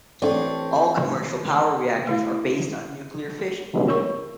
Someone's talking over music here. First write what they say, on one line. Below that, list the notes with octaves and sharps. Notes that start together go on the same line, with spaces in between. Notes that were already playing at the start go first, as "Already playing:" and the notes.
All commercial power reactors are based on nuclear fission.
A1 C4 D4 A4 C#5
A3 E4 F5
F4 A#4 C#5 C#6